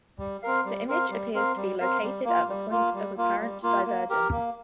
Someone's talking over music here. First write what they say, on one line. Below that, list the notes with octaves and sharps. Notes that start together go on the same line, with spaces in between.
The image appears to be located at the point of apparent divergence.
G3
C4 A#4 F5
G3
C4 A#4 F5
G3
C4 A#4 F5
G3
C4 A#4 F5
G3
A#3 F4
G3
A#3 F4
G3
A#3 F4
G3
A#3 F4
A#3
G4 A#4
A#3